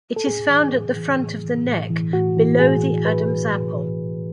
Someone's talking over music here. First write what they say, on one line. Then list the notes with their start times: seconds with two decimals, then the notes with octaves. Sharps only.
It is found at the front of the neck, below the Adam's apple.
0.16 A4
0.27 A2 G#4
0.50 E3
0.74 A2
0.97 E3
1.20 A2
1.44 E3
1.67 A2
1.90 E3
2.13 A2 F#4
2.37 E3
2.59 A2 G#4
2.83 E3
3.05 A2 B4
3.28 E3
3.53 A2
3.76 E3